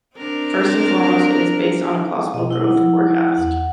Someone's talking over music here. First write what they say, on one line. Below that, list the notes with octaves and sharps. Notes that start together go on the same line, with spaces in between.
First and foremost, it is based on a plausible growth forecast.
C4 D4 A#4
B2 D#5
E4 F#5
F3
E2 F#5